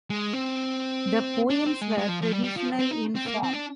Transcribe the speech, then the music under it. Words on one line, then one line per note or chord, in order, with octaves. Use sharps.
The poems were traditional in form.
G#3
C4
D4
C4
G#3
G#3
F3
F3
G3
G3
F3
C4
D#4
C4
A#3
C4
D4